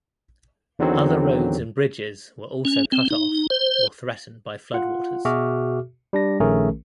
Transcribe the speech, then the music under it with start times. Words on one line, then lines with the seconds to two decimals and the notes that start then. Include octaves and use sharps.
Other roads and bridges were also cut off or threatened by floodwaters.
0.79 E2 D3 D#3 F#3 C4
2.65 C#4
2.92 C4
3.11 D#4
3.50 C5
4.74 F4 F#5
5.25 B2 F#4 G#4 E5 D6 F6
6.13 G3 D4 A#6
6.40 A#1 D#3 A3 C#4 G#4 A#4